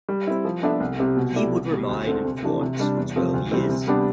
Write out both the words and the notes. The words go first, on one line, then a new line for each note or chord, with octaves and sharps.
He would remain in Florence for twelve years.
G3
C4 E4
F3
B3 D4 A4 E5
C2
C3 G3 C4 G4
B2
A3 E4 G4 D5
C2
B2 G3
D2
D3 A3 C4
C3
E3 A3 D4 G4
C3
G3 D4
E2
C3 F3 A3 C4
D2
C3 E3 G3 C4
C3
G3 B3 D4 G4